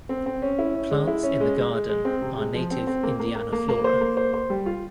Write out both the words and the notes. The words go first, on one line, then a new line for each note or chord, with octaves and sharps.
Plants in the garden are native Indiana flora.
C4
C4
C#4
E4
C#4
G#3
E4
C#4
G#3
G#3
G#3
G#3
C4
C3
G#3
F3
C4
C4
A#3
A#3
A#3
A#3
A#3
C5
A#3
C5
C5
G3
F4